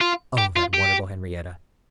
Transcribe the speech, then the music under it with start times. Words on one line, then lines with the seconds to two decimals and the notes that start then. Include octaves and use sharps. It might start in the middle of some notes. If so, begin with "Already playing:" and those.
Oh, that wonderful Henriette!
0.01 F4
0.38 G4
0.56 F4
0.74 G4